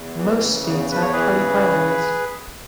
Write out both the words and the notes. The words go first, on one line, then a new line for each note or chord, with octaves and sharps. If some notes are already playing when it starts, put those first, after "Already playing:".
Most states have party primaries.
Already playing: E2
E3
C#3
E2
E2 B4
C#5
E3 G#4 B4
C#3